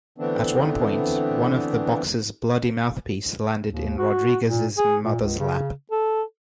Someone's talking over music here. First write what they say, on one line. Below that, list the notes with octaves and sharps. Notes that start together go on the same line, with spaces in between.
At one point, one of the boxers' bloody mouthpiece landed in Rodriguez's mother's lap.
D3 E3 A3 B3 C4 D4
D#2
F#4
A#2
G#4
A#2
C#2
C#3
A4